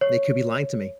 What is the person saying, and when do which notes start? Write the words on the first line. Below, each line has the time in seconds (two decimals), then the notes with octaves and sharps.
They could be lying to me.
0.01 C#5